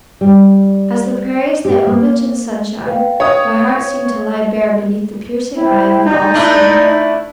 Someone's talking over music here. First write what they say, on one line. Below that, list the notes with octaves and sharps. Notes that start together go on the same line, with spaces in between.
As the prairies lay open to the sunshine, my heart seemed to lie bare beneath the piercing eye of the All-Seeing.
G3
G4
A#3
B4 F5 G5
C#5 D#6
E4 C5 G5
D#4 D5 G6
A3 D4 E4